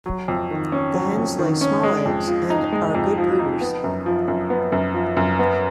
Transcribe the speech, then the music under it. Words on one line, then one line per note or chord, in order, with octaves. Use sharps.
The hens lay small eggs and are good brooders.
F#3
F2
D#3
C#4
F#3
F2
D#3
C#4
G#3
F2
F3
D#4
G#3
F2
F3
D#4
B3
F#2
F3
F#2
B3
F#2
F3
F#2
B3